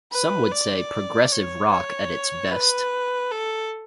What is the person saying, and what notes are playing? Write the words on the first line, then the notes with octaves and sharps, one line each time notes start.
Some would say: "Progressive Rock at its best".
B4
D5
C#5
C#5
B4
A4